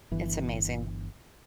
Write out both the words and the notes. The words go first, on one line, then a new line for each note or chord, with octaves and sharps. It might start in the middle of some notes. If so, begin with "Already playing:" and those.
It's amazing.
G1 E3